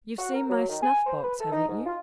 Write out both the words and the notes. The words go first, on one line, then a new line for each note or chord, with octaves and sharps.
You've seen my snuff-box, haven't you?
F#4
A#4
F#3
D#3
G#5
C5
B4
A4
D#4
G#2
F4